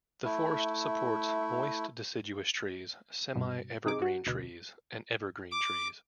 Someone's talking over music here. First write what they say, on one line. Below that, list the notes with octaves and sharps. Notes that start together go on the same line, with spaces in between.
The forest supports moist deciduous trees, semi-evergreen trees, and evergreen trees.
A3 E4
C2 G2 B2
C3 D#4 G#4 D6
F#4
D2 B2
D6